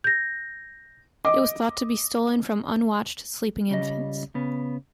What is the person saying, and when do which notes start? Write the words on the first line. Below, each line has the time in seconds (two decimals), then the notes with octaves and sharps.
It was thought to be stolen from unwatched, sleeping infants.
0.04 G6 A#6
1.25 D#5 D6
3.70 C#2 C#3 G3 D#5
4.35 C#3 B3